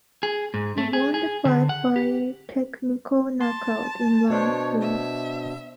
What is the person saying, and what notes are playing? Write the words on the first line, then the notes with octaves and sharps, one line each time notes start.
He won the fight via technical knockout in round three.
G#4
G#2
A3
G#4
G#4
D3
F#5
G4
A5 C6
B2 D4 C5 C#5
E5